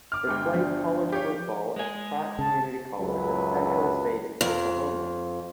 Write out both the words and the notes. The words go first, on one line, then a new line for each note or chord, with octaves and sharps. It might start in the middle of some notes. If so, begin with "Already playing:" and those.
He played college football at Pratt Community College and Central State in Oklahoma.
D6 F6
G1 G#3 G5
F3 D4
G4 C#5 F5
G#3 G#4
C#3 A5
C#2 F#2 F#3 B4
F2